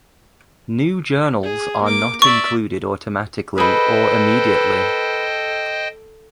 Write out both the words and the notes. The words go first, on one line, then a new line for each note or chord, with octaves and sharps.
New journals are not included automatically or immediately.
G#4
A#3 D6
D5 E5 C#6
G#4 A4 B4 C5 D#5 G5 B5